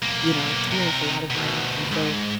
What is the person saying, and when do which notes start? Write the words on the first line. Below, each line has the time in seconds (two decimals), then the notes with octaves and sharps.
you know, experienced a lotta violence. And so
0.02 B1 A#3
0.71 C3 A#4
1.30 D2 B2
1.92 G#2